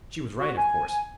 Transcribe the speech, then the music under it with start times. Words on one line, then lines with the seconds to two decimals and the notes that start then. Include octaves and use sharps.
She was right, of course.
0.39 F#4
0.58 G#5